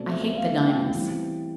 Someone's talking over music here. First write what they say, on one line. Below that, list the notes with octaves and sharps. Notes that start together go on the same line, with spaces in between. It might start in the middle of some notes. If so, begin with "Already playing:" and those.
I hate the diamonds.
Already playing: B2 A3 C4 D5
E5
E5
F5
G5
E3 G3 C4